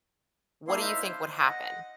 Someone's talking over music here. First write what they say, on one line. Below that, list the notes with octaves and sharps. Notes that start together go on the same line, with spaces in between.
What do you think would happen?
A#3 D4 E4 C6
D#4 E4 C5 E5 F5
C5
D#5 F#5